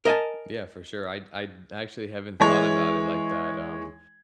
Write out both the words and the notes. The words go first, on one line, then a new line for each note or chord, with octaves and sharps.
Yeah, for sure. I I actually haven't thought about it like that, um,
A#4 D#5 E5 G#5 A5
E3 G#3 C#5